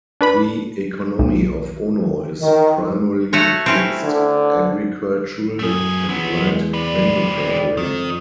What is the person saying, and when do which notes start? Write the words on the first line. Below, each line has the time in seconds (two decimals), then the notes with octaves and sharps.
The economy of Ono is primarily mixed agricultural and light manufacturing.
0.21 D4 B4 B5
1.19 B1
2.41 D#3
3.33 A3 F#4 C#5
3.66 C4 C#4 E4
4.04 D3
5.59 F#2 A3 G#4
6.09 E2 F#3 B3
6.43 G#3
6.74 C4 B4 D5
7.40 E1
7.77 F2 D#3